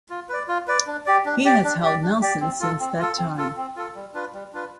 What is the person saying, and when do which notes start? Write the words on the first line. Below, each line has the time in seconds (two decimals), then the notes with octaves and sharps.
He has held Nelson since that time.
0.10 F4
0.29 B4 D5
0.48 F4
0.67 B4 D5
0.87 D4
1.06 G4 D5
1.25 D4
1.45 G4 D5
1.64 D4
1.83 G4 D5
2.02 D4
2.21 G4 D5
2.41 C4
2.60 F4 A4
2.80 C4
2.99 F4 A4
3.18 C4
3.38 F4 A4
3.57 C4
3.76 F4 A4
3.96 G3
4.14 D4 F4 B4
4.34 G3
4.53 D4 F4 B4